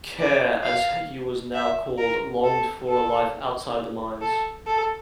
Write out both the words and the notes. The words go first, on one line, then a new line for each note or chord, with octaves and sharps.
"Keir", as he was now called, longed for a life outside the mines.
D5
F5
E5
A#4
A4
A4
A4
A4